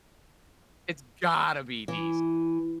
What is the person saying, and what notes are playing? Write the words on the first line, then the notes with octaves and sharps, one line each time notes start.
it's gotta be decent.
E3